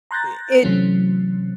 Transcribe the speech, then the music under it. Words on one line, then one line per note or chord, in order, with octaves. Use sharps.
i it
A#5 C6 F#6 G6 A6 A#6
C3 E3 F#3 A3 C4 C#4